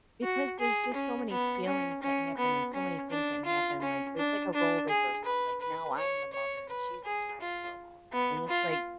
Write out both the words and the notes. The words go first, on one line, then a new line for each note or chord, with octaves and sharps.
because there's just so many feelings that happen, and so many things that happen. Like, there's, like, a role reversal, like, now I'm the mother, and she's the child almost. And it's, like
F#4
G#4
C#4
B3
C#4
C#4
B3
C#4
D4
F4
C#4
D4
D4
G#4
B4
B4
C#5
C#5
B4
G#4
F4
B3
F4